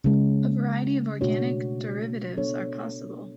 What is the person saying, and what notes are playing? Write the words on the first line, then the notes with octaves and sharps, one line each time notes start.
A variety of organic derivatives are possible.
C#3 G#3 C#4
B2 A3 D4 F#4 C#5
B3 D4 A4 C#5